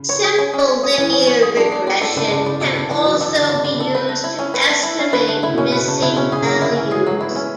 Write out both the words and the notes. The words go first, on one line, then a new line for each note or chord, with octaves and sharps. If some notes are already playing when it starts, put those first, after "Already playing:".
Simple linear regression can also be used to estimate missing values.
Already playing: C#3
C#5
G#4
C#4
C#4
C#5
G#4
E3 C#4
C#4
C#5
G#4
F#3 D4
D4
B3 D5
A3 A4
C#3 D4
C#3 D4
C#3 D5
B2 A4
C#3 D4
E3 D4
F#3 D5
E3 A4
D3 D4
C#3 D4
D5
C#3
A4
B4
A3
E4
C#4
B4
A3
E4
C#4
D3 B4
D3 A3
C#3 E4
B2
C#4
B2 B4
C#3 A3
C#3 E4
B2 C#4
C#3 G#4
C#3 F#3
D3
E4
E3
C#4
G#3 G#4
F#3 A3
E4
B3 C#4